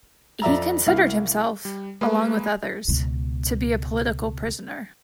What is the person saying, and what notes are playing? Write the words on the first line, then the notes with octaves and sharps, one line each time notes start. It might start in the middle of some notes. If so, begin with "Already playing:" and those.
He considered himself, along with others, to be a political prisoner.
F2 D5 E5 A#5
C2 E4 F5
G3
G#3 A#3 B4
C#2 B2